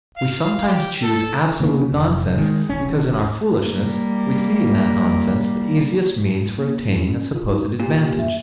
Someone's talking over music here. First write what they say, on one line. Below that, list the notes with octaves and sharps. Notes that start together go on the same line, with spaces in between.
We sometimes choose absolute nonsense because in our foolishness we see in that nonsense the easiest means for attaining a supposed advantage.
F5
G4
A4
C#3 A#3 B3
F1
D#3 G#3
D#1 C#4
G3 A#3
A#3
C#4
F4
D#4
A#2 G4
E5